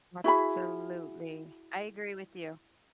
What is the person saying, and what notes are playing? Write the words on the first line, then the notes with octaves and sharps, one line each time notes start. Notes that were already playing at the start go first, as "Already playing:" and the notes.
Absolutely. I agree with you.
E4 F#4 G#4 B5